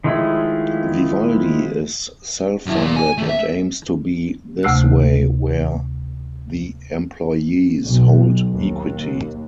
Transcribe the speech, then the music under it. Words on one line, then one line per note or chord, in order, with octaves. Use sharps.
Vivaldi is self-funded and aims to be this way where the employees hold equity.
D#3 F3 G#3 A3 E4
F#2 E4
A#3 D5
G#5
D#3 A3
E5
D2 C3 A3 E6 F#6
B1
D#2